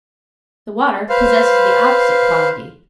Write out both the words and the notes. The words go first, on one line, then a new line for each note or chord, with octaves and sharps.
The water possesses the opposite quality.
B4 C5 F5